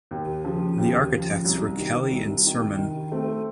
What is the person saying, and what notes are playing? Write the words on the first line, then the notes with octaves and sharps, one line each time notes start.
The architects were Kelly and Surman.
D#2
C#3 F3
D#2
C#3 F3
C2
C3 D#3
C2
C3 D#3
D#3
A3 C4